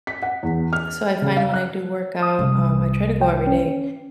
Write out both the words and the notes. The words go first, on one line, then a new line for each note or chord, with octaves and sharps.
so, I find when I do work out, um I try to go every day.
B6
F#5
E2
F6
C#3
F5
F#6
D#6
C2
G5
C#4